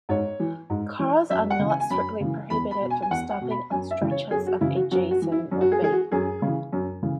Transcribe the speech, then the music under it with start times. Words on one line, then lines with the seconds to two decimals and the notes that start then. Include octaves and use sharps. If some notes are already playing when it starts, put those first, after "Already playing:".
Cars are not strictly prohibited from stopping on stretches of adjacent roadway.
0.09 G#2 C#5
0.40 E3
0.70 G#2
0.99 E3
1.30 F#2 E5
1.50 F#5
1.59 C#3 E3
1.70 G#5
1.80 G#5
1.90 F#2 B5
2.21 C#3 E3
2.50 E2 B5
2.71 B5
2.81 B2
2.90 G#5
3.02 G#5
3.11 E2 F#5
3.31 F#5
3.41 B2
3.51 B5
3.71 F#2 G#5
3.91 E5
4.01 C#3 E3
4.11 C#5
4.31 F#2 G#4
4.47 F#4
4.61 C#3 E3 E4
4.76 F#4
4.91 F#2 F#4
5.11 F#4
5.22 E3
5.32 E4
5.51 F#2
5.61 F#4
5.72 G#4
5.82 E3 G#4
5.92 F#4
6.12 F#2 G#4
6.42 C#3
6.47 E3
6.73 F#2
7.03 C#3 E3